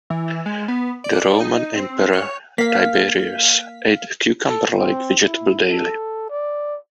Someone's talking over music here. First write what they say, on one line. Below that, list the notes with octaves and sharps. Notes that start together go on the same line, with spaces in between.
The Roman emperor Tiberius ate a cucumber-like vegetable daily.
E3
G#3
B3
D5
D#4
C4
C#5
A#3 F5 B6
A4
C4
E4
A4
D5